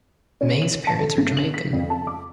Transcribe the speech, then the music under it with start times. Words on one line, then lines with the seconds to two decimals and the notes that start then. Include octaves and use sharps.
May's parents are Jamaican.
0.41 C#4
0.62 F#7
0.87 A5
1.00 A4
1.18 G1
1.37 F#7
1.54 B6
1.73 F2
1.90 A5
2.07 D6